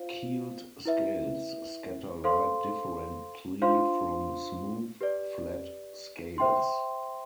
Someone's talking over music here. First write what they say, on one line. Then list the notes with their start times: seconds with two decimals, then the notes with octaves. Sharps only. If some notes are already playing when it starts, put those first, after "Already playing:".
Keeled scales scatter light differently from smooth, flat scales.
Already playing: F4 C5 F5
0.85 E4 B4 E5
2.24 A4 C5 F5 C6
3.62 D4 F4 C5 F5 C6
5.01 G4 B4 D5
6.38 C5 E5 G5 C6